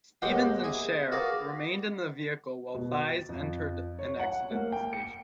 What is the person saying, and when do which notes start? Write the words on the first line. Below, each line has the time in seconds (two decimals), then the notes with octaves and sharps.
Stephens and Scherf remained in the vehicle while Thies entered and exited the station.
0.22 D#2 B2 G#3 G4 F#5 G5
0.64 E4 G#4 G#5
1.12 F#4 G#4 A#4 B4 D5 F5
2.75 B2
3.05 A6
3.29 F2
3.99 C#5
4.20 F#5
4.51 A#3
4.72 G5
4.93 C#7